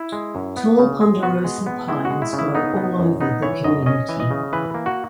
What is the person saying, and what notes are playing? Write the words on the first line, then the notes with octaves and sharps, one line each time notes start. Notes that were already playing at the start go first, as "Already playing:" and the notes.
Tall ponderosa pines grow all over the community.
Already playing: E4
G#3
F#2
B3
C#3
G#3
B3 F#4
G#3
B3
G#3 E4
F#4
G#3
E4
C#3
E4
B3 D#4
B3
F#2
B3 D#4
E3 C#5
F#2 D#5
C#4 D#5
E3
D#5
C#3
E3 B4
A#3
F#4